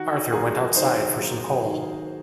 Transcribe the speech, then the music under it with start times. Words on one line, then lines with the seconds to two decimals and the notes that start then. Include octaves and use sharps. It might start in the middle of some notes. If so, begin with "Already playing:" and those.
Arthur went outside for some coal.
Already playing: D#3 F#4
0.32 F#3 A#3 G#4
0.76 D#3 C5
1.20 F#3 A#3
1.64 D#3